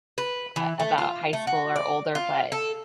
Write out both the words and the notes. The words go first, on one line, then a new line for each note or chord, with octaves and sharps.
uh, about high school or older, but
B4
E3
A3
F4
A3
F#4
D5
F4
A4